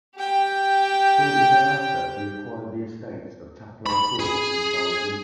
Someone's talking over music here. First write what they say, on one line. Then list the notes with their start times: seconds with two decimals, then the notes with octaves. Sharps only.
Shortly thereafter he acquired the estates of Taplow Court and Cliveden.
0.16 G4 G5
3.86 B5
4.19 G#4